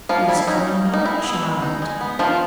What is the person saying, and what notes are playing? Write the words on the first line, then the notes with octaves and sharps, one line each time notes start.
His own child!
F3 A#3 F4
G3 E4
C#4 D#4
G3
A#3
D#4
G#3 E4
B3
G#3
D#4
G#3
B3
D#3 F3 F4